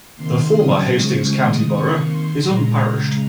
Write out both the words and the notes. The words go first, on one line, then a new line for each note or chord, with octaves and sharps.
The former Hastings County Borough is unparished.
C3 D#3 A#3 C6
C#3 F#3 A#3 D#6
C#3 F3 G#3 C#6
C3 D#3 G#3 D#6
C3 D#3 A#3 C#6
D#3 A#3 C6
A#2 G#3 A#5
C#3 G#3 A#5